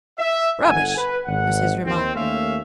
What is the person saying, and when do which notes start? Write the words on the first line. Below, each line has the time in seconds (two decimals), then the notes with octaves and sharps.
"Rubbish," was his remark.
0.18 E5
0.63 G1 A4 F#5 G#5
0.97 B4
1.26 G#1 F#5
1.85 D#2 C4
2.15 D#2 A3 A#3 C#4 E5 F5